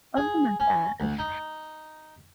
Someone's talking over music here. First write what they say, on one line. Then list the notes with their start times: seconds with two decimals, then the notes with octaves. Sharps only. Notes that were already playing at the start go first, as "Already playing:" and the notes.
Oh my gosh.
0.17 G#4
0.60 C#4
1.00 D2
1.19 D#4